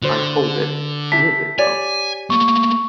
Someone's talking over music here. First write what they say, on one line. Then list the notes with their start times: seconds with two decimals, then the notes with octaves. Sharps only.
I called it 'Music Love'.
0.02 D3 F#4 C5
1.12 E4 G4 A5 B6
1.59 G4 C#5 D5 G#5
2.30 A3 A#3 C#6